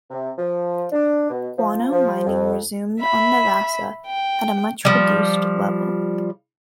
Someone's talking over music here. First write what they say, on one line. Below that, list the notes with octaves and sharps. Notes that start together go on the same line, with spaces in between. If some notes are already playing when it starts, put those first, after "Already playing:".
Guano mining resumed on Navassa at a much reduced level.
C3
F3
D4
B2
F3
F3
F2
E5 B5
G5
F3 G3